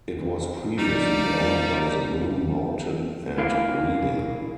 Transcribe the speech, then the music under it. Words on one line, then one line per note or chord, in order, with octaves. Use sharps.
It was previously owned by the Blue Mountain and Reading.
F3 G3 D#4 D5
E4 A#4 F5